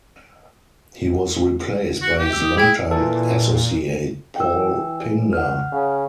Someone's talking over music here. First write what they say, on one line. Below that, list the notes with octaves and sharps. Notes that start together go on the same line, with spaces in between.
He was replaced by his longtime associate Paul Pindar.
F#4
G4
E5 E6
D#6
E4 G#4 G5
A#2 E3 A4
E3 G5 E6
F#5 F6
C#3